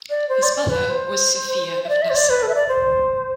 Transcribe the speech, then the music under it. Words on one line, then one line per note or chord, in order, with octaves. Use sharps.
His mother was Sophia of Nassau.
D5
C5
D5
D5
B4
C5
E5
D5
E5
C5
D5
B4
A4
E5
D5
C5